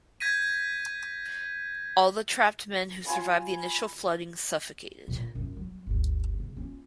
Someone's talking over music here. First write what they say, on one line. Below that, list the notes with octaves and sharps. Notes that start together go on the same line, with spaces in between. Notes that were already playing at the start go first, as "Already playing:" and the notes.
All the trapped men who survived the initial flooding suffocated.
G6 G#6 A#6 B6 D#7
F4 G#5 A5 B5
A#2 D3
F#2 F4
F#3
G1 D2
C#3
C#4 F4